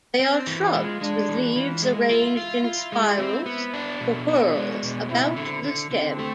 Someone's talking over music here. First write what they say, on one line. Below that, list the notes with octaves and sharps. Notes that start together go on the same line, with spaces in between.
They are shrubs with leaves arranged in spirals or whorls about the stem.
C4
E3
F4
G#3
G#3 D4
E3
F4
E3
G#3 E4
F4
F4
F4
G#3
C4
B3
D4
B2
B3 D4
G#3
B2
C4 E4
D3
D3
D3 C4
A3